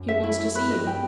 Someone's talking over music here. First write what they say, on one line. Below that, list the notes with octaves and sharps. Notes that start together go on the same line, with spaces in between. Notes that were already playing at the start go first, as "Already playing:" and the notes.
She wants to see you.
Already playing: F#2
E5
E4
E4
B4
G2 D#5
G5